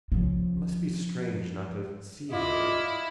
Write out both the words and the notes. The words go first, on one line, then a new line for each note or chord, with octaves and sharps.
Must be strange not to see her.
C#3 F3
E4 F4 D5 D#5